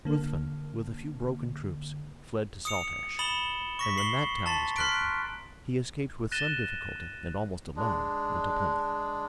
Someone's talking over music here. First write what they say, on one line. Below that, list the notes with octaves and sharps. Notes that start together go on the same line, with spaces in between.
Ruthven, with a few broken troops, fled to Saltash; and when that town was taken, he escaped with some difficulty, and almost alone, into Plymouth.
D3 A#3
D#6 C#7 F7
B5 D#6 A6 E7 F#7 G7
C#6 A#6 B6
C7 F#7 G7
A5 A#5 C6 A6 B6
C6 F6 F#6 B6 D7
F#6 A6 A#6 D#7 E7 G7
G#3 D4